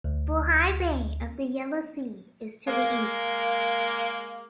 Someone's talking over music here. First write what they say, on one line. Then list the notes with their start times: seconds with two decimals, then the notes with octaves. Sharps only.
Bohai Bay of the Yellow Sea is to the east.
0.04 D2
2.67 G#3 A#3